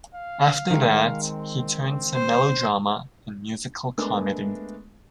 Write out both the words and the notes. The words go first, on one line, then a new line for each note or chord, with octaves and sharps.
After that, he turned to melodrama and musical comedy.
F5
D#3 G#3
C4
C5
G#3 A3 B3 D4 A#4